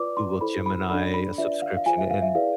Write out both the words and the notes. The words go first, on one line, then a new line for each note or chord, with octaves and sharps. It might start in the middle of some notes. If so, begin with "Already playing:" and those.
Google Gemini subscription, and
Already playing: F4 B4 D5 D6
C6
E4 A4 C5 B5
B5
D4 A4 D5 B5
B5
D4 F4 B4 D5 E5
F5
F5
F4 G#4 C5 G#5
E5
F5
E5
E4 G#4 B4 D5 F5